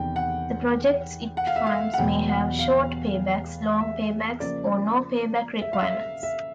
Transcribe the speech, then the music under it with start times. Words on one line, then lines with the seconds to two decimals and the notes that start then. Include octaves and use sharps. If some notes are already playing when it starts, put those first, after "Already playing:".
The projects it funds may have short paybacks, long paybacks, or no payback requirements.
Already playing: E2 C3 D#3 G5
0.16 F#5
1.37 F#5
1.47 F5
1.56 E5
1.67 F5
1.94 F#5
1.98 E2 B2 F#3 B3 G5
2.29 F#5
2.59 F5
3.80 E5
4.40 C#3 F3 A#3 D5
5.62 E5
5.73 F5
5.83 E5
6.23 E5